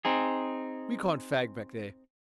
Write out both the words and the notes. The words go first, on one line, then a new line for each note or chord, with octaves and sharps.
We can't fag back there.'
C4 D#4 G#4